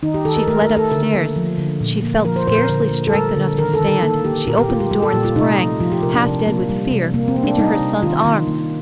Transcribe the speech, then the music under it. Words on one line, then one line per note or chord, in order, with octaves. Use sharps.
She fled upstairs; she felt scarcely strength enough to stand; she opened the door, and sprang, half dead with fear, into her son's arms.
D#3 D#4
G4
D#3 A4
A#4
A3 A#4
A#4
A3
A4
D3 A#4
A#3
F3
D3
A#2
A#3
F3 A#4
C5
A#2 C5
A#4
D3 C5
A#3
A4
G3 A#4
D3
D#3 A#4
A4
D#3
A4
A#3 A4
A#3 G4
A#2 A#4
G4
A#3 F4
G4
G3 G4
A4
A#2 G4
F4
C3 D#4
A3
F3 F4
G4
C3 A#4
D4
C3
A#3
G3
C3
C3 A#3
C4
A#3
D4
G3 D#4
C3
D#3 F4
D#3
A#3